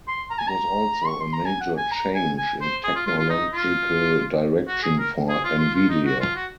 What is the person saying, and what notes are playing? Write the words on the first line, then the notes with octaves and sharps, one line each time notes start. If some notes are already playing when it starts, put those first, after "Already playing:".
It was also a major change in technological direction for Nvidia.
C6
A#5
G#5
A#5
C#6
C6
A#5
G#5
F#5
G#5
A#5
G#5
G#5
C5
G#4
F4
F4
F4
D#4
F4
F#4
G#4
A#4
G#4
F4
F4
F4
D#4
F#4
F4
F#4